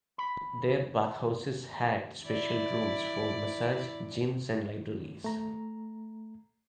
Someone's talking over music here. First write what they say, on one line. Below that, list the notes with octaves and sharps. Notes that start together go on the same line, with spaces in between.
Their bathhouses had special rooms for massage, gyms, and libraries.
B5
E4 D5
A3 A#5